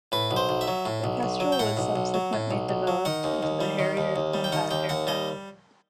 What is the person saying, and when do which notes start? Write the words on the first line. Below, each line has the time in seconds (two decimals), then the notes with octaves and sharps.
The Kestrel was subsequently developed into the Harrier combat aircraft.
0.12 A2 B4
0.31 B1
0.36 C5
0.49 B1
0.61 E5
0.68 F#3
0.86 A2
1.04 B1
1.23 B1
1.40 F#3
1.52 G5
1.59 A2 F#5
1.77 B1
1.96 B1
2.14 F#3
2.33 A2
2.51 B1
2.69 B1
2.87 F#3
3.05 D#3 F#5
3.24 D#2
3.43 D#2
3.61 G3
3.79 D#3
3.97 D#2
4.16 D#2
4.34 G3
4.44 G5
4.52 D#3 F#5
4.71 D#2 G5
4.89 D#2 F#5
5.07 G3 D#5